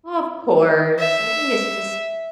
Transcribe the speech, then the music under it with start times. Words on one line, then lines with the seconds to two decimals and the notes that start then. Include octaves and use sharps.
Oh, of course. I think it's just
0.99 E5